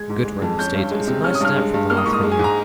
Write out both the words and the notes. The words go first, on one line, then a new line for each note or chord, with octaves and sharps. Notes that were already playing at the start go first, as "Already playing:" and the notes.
Goodrem states It's a nice step from the last video.
Already playing: G#3 G#6
G#2
G#3
F2
C#4 G6
G2
G#3
C3
C#4 F6
D#6
G2 F6
G#3
G2
A#3 F6
D#6
G#2 C#6
D#6
G#3
G#5
G#2
A#5